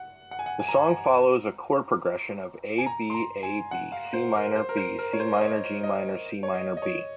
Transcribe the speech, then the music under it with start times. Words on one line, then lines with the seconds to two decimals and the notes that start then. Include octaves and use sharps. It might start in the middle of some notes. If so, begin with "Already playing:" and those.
The song follows a chord progression of A-B-A-B-Cm-B-Cm-Gm-Cm-B.
Already playing: F#5
0.31 F#5
0.39 G#5
0.46 F#5
0.60 G#5
0.69 A#5
0.77 G#5
0.88 A#5
2.78 G#5
2.86 A#5
3.10 C6
3.14 A#5
3.43 G#5
3.71 F#5
3.92 F5
4.13 C5
4.35 A#4
4.56 C5
4.69 A#4
4.77 C5
4.99 A#4
5.13 C#5
5.20 C5
5.33 D#5
5.41 C#5
5.83 D#5
6.43 C#5
6.54 D#5
6.77 D#5
6.82 C#5